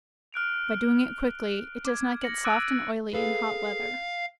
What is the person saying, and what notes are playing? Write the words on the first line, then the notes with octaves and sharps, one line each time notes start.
By doing it quickly, it does not get soft and oily in hot weather.
F6 F#6 D7 F7
D6 G#6
A#6 C#7 F#7
D6 E6 F#6 A6 D7 D#7
G#4 A4 B4 F5